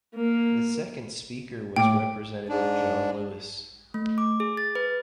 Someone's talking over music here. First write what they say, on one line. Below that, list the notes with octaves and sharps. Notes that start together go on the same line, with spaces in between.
The second speaker was Representative John Lewis.
A#3
A2 G5 D6 D7
G#2 D4
A3
D6
G#4
A6
B4